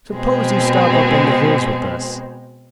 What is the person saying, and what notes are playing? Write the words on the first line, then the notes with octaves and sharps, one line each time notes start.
S'pose you stop up in the hills with us.
B2 G#3 C4